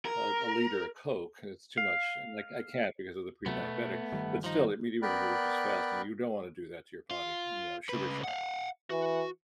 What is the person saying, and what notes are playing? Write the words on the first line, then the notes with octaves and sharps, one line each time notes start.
a a liter of Coke 'cause it's too much, and, like, I can't because of the pre-diabetic, but still, we do it we were just fasting. You don't wanna do that to your body, you know- sugar shock,
A#4
F5
C3 F#3 A3 B3
B2
G1 D#3 G3
F3 D#4
B3 A#4 D5 G5 B5 F#6
F4
C#3 B4
F5 F#5
E3 F#4